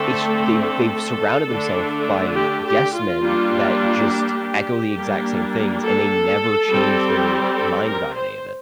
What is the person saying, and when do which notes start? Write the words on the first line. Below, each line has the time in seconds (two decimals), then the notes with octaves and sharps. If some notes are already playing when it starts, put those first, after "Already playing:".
It sh they've they've surrounded themself by yes men that just echo the exact same things, and they never change their mind about any of it.
Already playing: D3 A3 C4 A4
0.62 A4
1.49 D3 A3 D4
2.36 G4
2.64 G4
2.94 F4
3.22 G3 A#3 D4
4.10 G4
4.96 G3 A#3 D4
5.82 A4
6.69 G3 C4
7.56 A4
7.84 A#4
8.14 C5